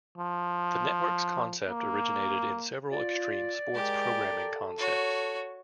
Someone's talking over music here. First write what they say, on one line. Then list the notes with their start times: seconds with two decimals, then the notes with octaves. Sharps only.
The network's concept originated in several extreme sports programming concepts.
0.17 F3
1.69 A#3
2.92 F4 D5
3.75 G#3 G4 A#4
4.28 A4
4.78 F#4 C#5